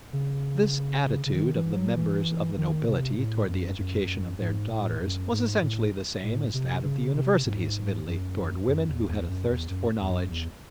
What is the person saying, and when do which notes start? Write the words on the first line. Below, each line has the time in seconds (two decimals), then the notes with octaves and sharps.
This attitude of the members of the nobility toward the education of their daughters was essentially the same as that of the universities of Italy toward women who had a thirst for knowledge.
0.13 C#3
1.26 C#3
1.34 D#3
1.55 E3
1.75 F#3
1.96 E3
2.57 D#3
2.87 C3
3.18 A2
3.48 F#2
3.79 F#2
4.40 G#2
4.70 A2
5.01 F#2
5.32 G#2
5.62 A2
6.23 A2
6.54 C3
6.84 C#3
7.15 C3
7.45 G#2
8.06 F#2
8.68 F#2
8.88 E2
9.08 E2
9.28 F#2
9.49 E2
9.69 F#2
10.00 E2
10.09 F#2
10.30 E2